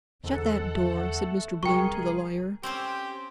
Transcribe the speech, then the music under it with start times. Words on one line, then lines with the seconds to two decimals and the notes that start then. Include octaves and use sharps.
"Shut that door," said Mr. Bloom to the lawyer.
0.24 E2 G#2 D3 A4 F#5
0.76 A3
1.63 C2 G#4 A#4 G5 C#6
2.63 C4 C#4 G4 C5